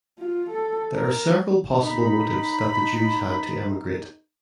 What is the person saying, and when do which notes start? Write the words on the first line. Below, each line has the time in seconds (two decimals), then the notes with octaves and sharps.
There are several possible motives that the Jews had to emigrate.
0.18 F4
0.50 A4
0.95 A#4
1.83 D#4 B5